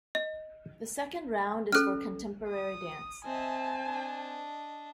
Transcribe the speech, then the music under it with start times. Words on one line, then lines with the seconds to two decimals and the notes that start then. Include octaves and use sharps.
The second round is for contemporary dance.
0.15 D#5
1.72 C#4 A4 F6 F#6
2.49 D#6
3.25 C4 D#5 E5 G#5 A5
3.85 D4 D#5